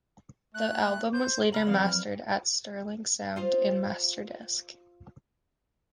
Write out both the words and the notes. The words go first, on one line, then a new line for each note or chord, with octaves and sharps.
The album was later mastered at Sterling Sound and Masterdisk.
A3 F#6
C5 G6
C#3 A#5 B5 F6 F#7
F3 C4 D5 F5
F#3 F6
F4 C5 D#5